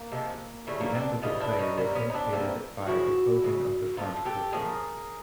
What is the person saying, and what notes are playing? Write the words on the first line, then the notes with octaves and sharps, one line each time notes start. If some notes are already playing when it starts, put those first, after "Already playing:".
The end of the play was indicated by the closing of the front curtain.
Already playing: A#3
C3 F3 G#3
C#3 E3 G3 A3
A#3
C4 D4
C#3 E3 G3 D#4 F4
D4 E4
C#4 D#4
C3 E3 G3 A#3 C4
B3 C#4
D#4
C4 D4
C3 E3 G3 A#3 C4
F4
C#3 F3 G#3 E4 F#4
C#3 F3 G#3
A2 F3 A3 D#4 F4
G4 A4
A2 F3 A3 G#4 A#4